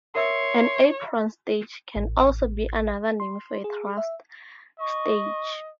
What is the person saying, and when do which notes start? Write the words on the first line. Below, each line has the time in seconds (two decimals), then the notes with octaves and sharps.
An apron stage can also be another name for a thrust stage.
0.15 A#4 C#5 E5 C6 E6
1.96 A1
3.20 C6
3.64 G#4
3.97 E5
4.80 D#5 C#6